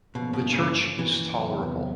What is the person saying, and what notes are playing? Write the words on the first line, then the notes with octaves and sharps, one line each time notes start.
The church is tolerable.
G2 B2 D3 F3 A#3 C#4
B2
C#3
E3
E2 C3 D#3 F#3 B3